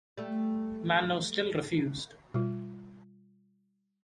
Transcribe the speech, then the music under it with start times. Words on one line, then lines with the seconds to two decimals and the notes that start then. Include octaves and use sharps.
Manno still refused.
0.18 G3 A3
2.34 B2 G3 F4